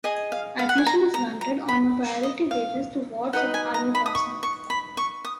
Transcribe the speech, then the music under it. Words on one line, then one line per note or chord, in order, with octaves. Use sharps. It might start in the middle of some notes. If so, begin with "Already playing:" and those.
Admission is granted on a priority basis to wards of Army personnel.
G#4 D#5 G#5
F5
F5
F#5
G#5
A#5
A#5
A#5
B5
D#5
F5
D#4 F#4 B4 D#5 F#5
G#5
A#5
B5
D#6
C#6
C#6
B5
C#6
D#6